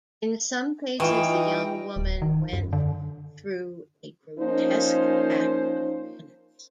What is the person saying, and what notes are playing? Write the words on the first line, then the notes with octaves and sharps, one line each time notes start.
In some cases the young woman went through a grotesque act of penance.
E3 D#4 F4 G5 C#6
D1
D#3
F#2
D3
F3 A#3 C#4 D#4 C5